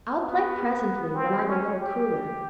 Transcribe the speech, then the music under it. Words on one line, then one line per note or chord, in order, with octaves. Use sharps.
'I'll play presently, when I'm a little cooler.
B3
C4
C#4
G4